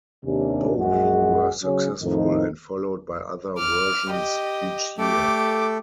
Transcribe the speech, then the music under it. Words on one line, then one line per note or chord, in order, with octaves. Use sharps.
Both were successful and followed by other versions each year.
D#2 C3 C#4 D4
A#1 F#2 G#3 F#4 G#4
C#3 F#3 C#4
F2 A2 D#3 D#4
D6 F6
G4 D#5
A3 G4 A4 D6